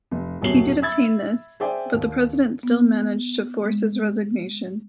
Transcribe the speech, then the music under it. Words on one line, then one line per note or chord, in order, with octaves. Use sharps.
He did obtain this, but the President still managed to force his resignation.
F1
D#1 F#2 B2 C#4 C7 F#7
E5 B5 E6 G#6 A6
G#4 C5 D5 E5 G5 G#5
D#2
B3
G#3